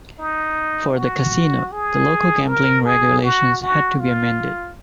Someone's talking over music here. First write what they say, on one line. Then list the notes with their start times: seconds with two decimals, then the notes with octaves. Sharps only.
For the casino, the local gambling regulations had to be amended.
0.19 D#4
0.95 F#4
1.72 G#4
2.48 A#4
2.85 G#4
3.24 F#4
3.62 F#4
4.00 F4